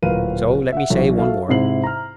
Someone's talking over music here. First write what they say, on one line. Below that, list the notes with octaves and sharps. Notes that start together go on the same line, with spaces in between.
So let me say one word.
D1 A#2 A#4 B4 F5 D#7
E5 F#5
B1 E3 F#4
F#4 A4 E5 F5
G#2 C3 E4 C7 F#7
A#5 F6